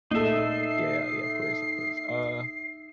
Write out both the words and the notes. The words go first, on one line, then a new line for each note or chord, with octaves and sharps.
Yeah, yeah, yeah, of course, of course, uh
A#2 D#4 A4 E5 C7